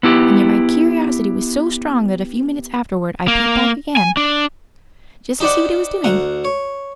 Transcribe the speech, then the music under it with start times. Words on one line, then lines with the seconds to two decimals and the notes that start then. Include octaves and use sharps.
And yet my curiosity was so strong that a few minutes afterward I peeped back again, just to see what he was doing.
0.03 B3 E4 G4
3.28 A#3
3.97 G#5
4.17 D4
5.40 D#4 G4 C5 D5 F#5
6.04 D2 F#5 A#5
6.45 C#5